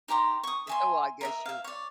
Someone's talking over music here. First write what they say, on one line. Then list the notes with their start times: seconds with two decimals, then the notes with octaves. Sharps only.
Yeah, well, I guess you
0.08 D#4 G4 A#5 C6
0.43 C#6 D#6
0.67 E5 G#5 C6
1.21 A#4 D#5 E5
1.46 E5 F5
1.64 C#5 D5